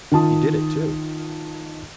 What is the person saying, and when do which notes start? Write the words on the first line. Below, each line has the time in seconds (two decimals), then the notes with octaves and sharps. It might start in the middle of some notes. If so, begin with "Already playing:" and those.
He did it too.
0.12 D#3 F4 A5 D#6